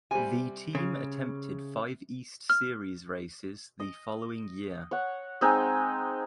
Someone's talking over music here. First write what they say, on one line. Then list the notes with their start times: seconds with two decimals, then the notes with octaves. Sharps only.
The team attempted five East Series races the following year.
0.11 C3 G3 G#5
0.75 C#3
2.50 F6
3.80 D#5
4.91 C#5 F#5
5.41 G#3 C4 D#4 G#5